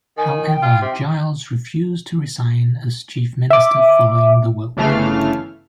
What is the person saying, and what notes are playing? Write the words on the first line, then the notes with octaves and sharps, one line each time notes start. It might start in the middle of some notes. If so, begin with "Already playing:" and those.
However, Giles refused to resign as Chief Minister following the vote.
D#3 G#5
G5
F4
C3
E5 D6
G1 C#3 E3 A3 F5 F6